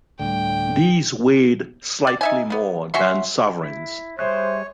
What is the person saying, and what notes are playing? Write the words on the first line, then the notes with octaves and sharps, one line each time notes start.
These weighed slightly more than sovereigns.
D2 A2 D3 G3 G5
D5
D#4 E5 G#5
A#3 B3
C#4 F#4 E5 C6
E4
G3 G#4 C5 C#5 E5 F#6